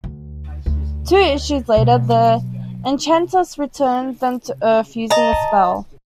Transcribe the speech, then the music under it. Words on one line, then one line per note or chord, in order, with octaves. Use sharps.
Two issues later the Enchantress returns them to Earth using a spell.
D2
D2
B2 F#3
D#5 A5 A#5